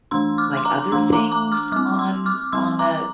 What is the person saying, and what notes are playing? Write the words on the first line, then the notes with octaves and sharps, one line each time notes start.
like other things on on that
E3 A3 D4 C6 E6
D6 F6
C6
A#5 D6
E3 A3 D4 C6 E6
A#5 D6
A#5 D6
D6 F6
G3 C4 D6 F6
C6 E6
D6 F6
G3 C4 C6 E6
A#5 D6